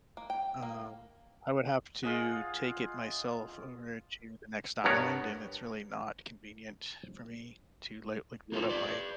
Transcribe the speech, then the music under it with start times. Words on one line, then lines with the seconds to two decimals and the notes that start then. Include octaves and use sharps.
Um, I would have to take it myself over to the next island, and it's really not convenient for me to, like like, load up my
0.17 A#3
0.30 G5
0.63 A#3
2.03 F4 G#4 D#5 F#5
4.84 G2 B3 A#4 C#5
8.52 A#3 D#4 F4 G#4 A4 C5
8.69 B4 D5